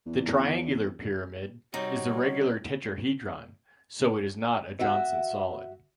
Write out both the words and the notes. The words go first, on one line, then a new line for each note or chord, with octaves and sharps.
The "triangular pyramid" is the regular tetrahedron, so it is not a Johnson solid.
E2
C3 G3 C4 D#4 F#4 C#5
F#4 E5